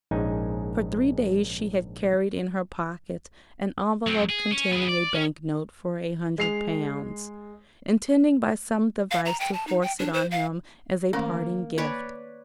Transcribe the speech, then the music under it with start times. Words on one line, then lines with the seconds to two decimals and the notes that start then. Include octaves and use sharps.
For three days she had carried in her pocket an envelope containing a bank-note for a hundred pounds, intending by some device to force it on him as a parting gift.
0.11 A#1 G#2 G#3 C#4 D#4 G#5
4.07 F#3 C4
4.30 G#4
4.51 C#4
4.73 B3 G#4
4.88 D5
5.14 C#4
6.38 G#3 C7 F7
9.11 F5
9.25 A#5
9.40 G5
9.53 A5
9.67 D#4
9.82 G5
9.99 D4
10.13 C5
10.31 F5
11.13 D#3 A3 A#3 C#4
11.78 A#3 B4 C#5 D5